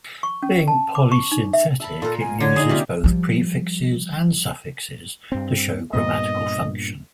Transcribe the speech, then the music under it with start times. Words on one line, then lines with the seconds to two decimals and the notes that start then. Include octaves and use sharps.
Being polysynthetic, it uses both prefixes and suffixes to show grammatical function.
0.23 C#6
0.43 C#4
0.68 A5
0.95 D6
1.12 C#6
1.32 D#4
1.53 E5
1.80 E5 A5 B5
2.02 A#2 F4 A4 A#4
2.20 G#5
2.40 D3 C#5
2.56 D3 D#4 G#4
2.69 C3 A#3 C#4 F4 G4
3.04 F3 G3
5.32 G2 C4
5.93 G2 A#2 B3 D#5